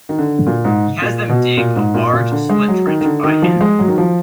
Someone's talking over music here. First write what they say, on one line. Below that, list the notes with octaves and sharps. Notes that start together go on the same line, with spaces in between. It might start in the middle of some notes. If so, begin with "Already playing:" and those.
He has them dig a large slit trench by hand.
D#3
D3
A#2
G#2
A#2
B2
A#2
G#2
A#2
A#2
D3
G#3
F#3
D#3
D#3
D3
D#3
F3
G#3
F#3
D#3
F3